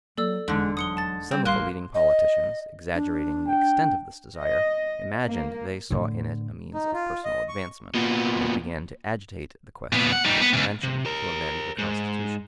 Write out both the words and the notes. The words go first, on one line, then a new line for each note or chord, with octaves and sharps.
Some of the leading politicians, exaggerating the extent of this desire, imagined they saw in it a means of personal advancement, and began to agitate the question of a convention to amend the Constitution.
F#3 A#3 A4 D5 E6
F1 E2 G#2 D3 G#3
F#3 D#6 C#7 G7
A5 A6
G3 C4
A1 A#3 F5 C6 F#6
D#5
D4
G5
D#5
A#3
A2 D3
D#4
F4
D#5
C#6
A#2 B3
A#2 B3
F#5
G3 D#4
B3
C#2 C3
C3
G4 A#4
G#2